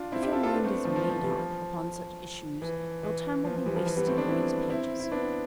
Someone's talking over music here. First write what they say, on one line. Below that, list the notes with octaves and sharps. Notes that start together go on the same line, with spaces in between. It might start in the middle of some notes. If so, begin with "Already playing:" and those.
If your mind is "made up" upon such issues your time will be wasted on these pages.
Already playing: D4 F4
C4 E4
E4 G4
F4 A4
F4 A4
B3 D4
A3 C4
F3 A3
F3
F3
E3 G3
F3
E3
E3
F3
F3
E3 G3
F3
E3
G3 B3
A3 C4
B3 D4
C4 E4
C4 E4
E4
B3 D4